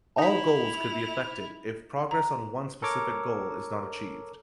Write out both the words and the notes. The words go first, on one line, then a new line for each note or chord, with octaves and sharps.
All goals could be affected if progress on one specific goal is not achieved.
D#4 E4 B5 F7
A#5
A4 A#4 C#5 D6